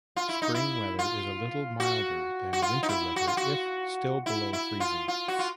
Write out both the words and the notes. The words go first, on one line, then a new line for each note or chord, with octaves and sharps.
Spring weather is a little milder than winter weather if still below freezing.
F4
E4
D#4
E4
F4
F#4
F#4
F4
D#4
E4
F#4
F4
F#4
E4
E4
F4
F4
F#4
F4